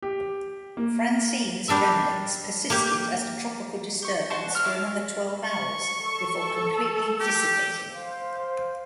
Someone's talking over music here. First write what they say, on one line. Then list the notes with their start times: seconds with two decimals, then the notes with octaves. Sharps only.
Francene's remnants persisted as a tropical disturbance for another twelve hours, before completely dissipating.
0.02 G4
0.77 A#3
1.68 G3 D4 A#4 E5
2.70 A#3 G4
4.02 G4 C#6
4.30 F#4 C5 A5 C#6
4.50 D4 F6
4.64 E4 D5 F5 A5
5.44 C#6
6.00 A4
7.20 G4
7.92 C5 F5